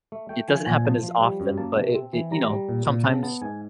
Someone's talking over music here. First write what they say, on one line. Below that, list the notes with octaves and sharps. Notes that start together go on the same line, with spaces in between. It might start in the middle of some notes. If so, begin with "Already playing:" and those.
it doesn't happen as often, but it it you know, sometimes,
A3
A3 G5
F3 G#5
A#2 G#5
F3 A5
F3
G3
F#2
A#3 A5
C3
C4
E3
G3 A#5
G3
A#2
A#2
C#3 A5
B3 A5
G#2 G#5